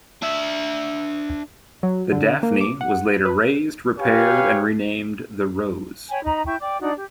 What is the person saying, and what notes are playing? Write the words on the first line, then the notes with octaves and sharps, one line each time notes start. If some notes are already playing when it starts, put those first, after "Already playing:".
The "Daphne" was later raised, repaired, and renamed the "Rose".
D4 E5
F#3
D3
A#3
D6
F#5
B4
G4 B4 C#5 F5 G#5
C#5 G5 G#5 B5
D#4 D#5 A#5 B5
E4 G5 C#6 G6
D5 G5 D6
D4 D#4 F#4 D5
G4